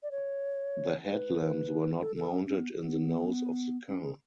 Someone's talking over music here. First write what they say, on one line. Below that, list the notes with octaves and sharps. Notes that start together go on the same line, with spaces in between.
The headlamps were not mounted in the nose of the car.
D5
C#5
B4
A4
A4
C#4
C#4
B3
B3
C#4
G#4